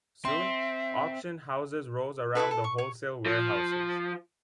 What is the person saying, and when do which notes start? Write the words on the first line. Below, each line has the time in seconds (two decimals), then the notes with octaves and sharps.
Soon, auction houses rose around the wholesale warehouses.
0.25 C4 E5 C6
2.35 E4 F#4 A4 B4
2.51 A4
2.64 C#6
2.78 C#5
3.26 F3